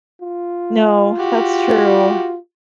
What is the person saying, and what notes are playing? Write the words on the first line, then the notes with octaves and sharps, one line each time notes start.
No, that's true,
F4
F#4 G4